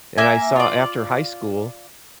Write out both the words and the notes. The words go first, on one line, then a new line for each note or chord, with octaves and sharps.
and I saw after high school,
A#3 E5 G#5
F4 D5